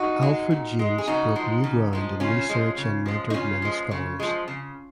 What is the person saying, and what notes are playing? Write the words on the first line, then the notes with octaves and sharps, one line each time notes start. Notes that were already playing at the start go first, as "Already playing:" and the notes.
Alfred James broke new ground in research and mentored many Scholars.
Already playing: D#4 F#4
G#3
A#2
G#3
G#4
C#3 D#4 F#4
F3 G#3
C#3
F3 G#3
C#3 C#4 F4
F3 G#3
C#3
F3 G#3
D#4
C#3 C#4 F4
F3 G#3
C#3
F3 G#3
C#3